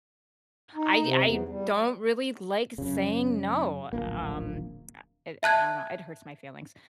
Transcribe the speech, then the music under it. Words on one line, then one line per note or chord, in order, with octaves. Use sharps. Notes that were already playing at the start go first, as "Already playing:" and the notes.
I I don't really like saying no, um, uh, it I don't know, it hurts my feelings,
D#4
C3
E2
G3
F#2 C#3
D1 A#1 A#3
E5 A5 F#6 G#6